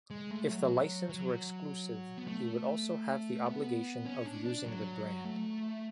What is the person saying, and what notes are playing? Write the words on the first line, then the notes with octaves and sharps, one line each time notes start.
If the license were exclusive, he would also have the obligation of using the brand.
G#3
A3
F#3
F#3
B3
A3
B3
C#4
D4
D4
F#3
A3